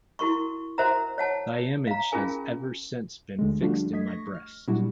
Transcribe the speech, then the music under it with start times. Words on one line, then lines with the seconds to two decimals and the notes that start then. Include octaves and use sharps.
Thy image has ever since been fixed in my breast.
0.19 E4 F#4 A#4 C6 C#6
0.78 F#4 A#4 C5 E5 F#5 A#5
1.18 C#5 F#5 A5
1.87 F5 A#5
2.12 C#4 F4 G#4 A#4 G#5
3.39 D2 D3 G#3
3.61 F3 G3 A3 D4 F4 F#4
3.93 A3 D#5 G#6 B6 C7
4.08 C#6 A#6
4.35 F6
4.68 A#2 F#3 G3 D4 E4 F#4